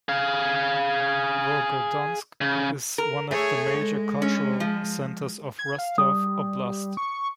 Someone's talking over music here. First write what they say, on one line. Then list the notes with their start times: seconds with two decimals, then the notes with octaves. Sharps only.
Volgodonsk is one of the major cultural centers of Rostov Oblast.
0.09 G#4 F5
2.41 C#3
2.98 A#4
3.31 A3 G#4 C#5
3.79 G#3
4.22 C#4
4.60 F3
5.59 G#6
5.79 F5
5.98 G3 D#6
6.97 C#6